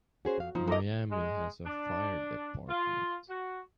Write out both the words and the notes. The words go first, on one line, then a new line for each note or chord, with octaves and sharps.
Miami has a fire department.
C#4 F#4 G#4 C5
F2 F5
F3 D#4 F4
D#4 A4 D#5 A#5 D6
G#3
D4
F4
F#4